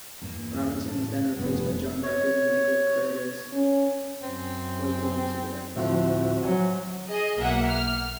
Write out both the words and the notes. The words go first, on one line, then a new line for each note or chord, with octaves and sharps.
Robinson was then replaced by John Garfield and Michael Curtiz was going to direct.
E2 G2 A#3
A2 A5
F1 G2 B3
C#5
C#4
F#2 C4
D2 A2 F3 C4 F#4 E5
F#3 G#5
G#4 D#5
B1 A#3 E5 F#5
F6